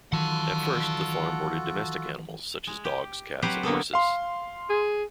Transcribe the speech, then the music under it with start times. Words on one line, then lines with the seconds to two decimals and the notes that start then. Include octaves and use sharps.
At first, the farm boarded domestic animals such as dogs, cats, and horses.
0.12 D#3 E3 F#3 F4 F#4 A4 F#5 A5
2.67 G#3
2.85 G4
3.42 F#3 C4 G4 B4 C5 F#5
3.63 D3 A#3 B3 A4
3.94 F5 C6
4.70 G#4